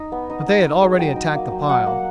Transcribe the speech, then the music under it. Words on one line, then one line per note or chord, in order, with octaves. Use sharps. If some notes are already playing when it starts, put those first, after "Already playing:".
But they had already attacked the pile.
Already playing: D#4
B3
D#4
D#4
D#4
G#3
F#3 G5
D#4
A#3
F#3
F#3 F#5
A#3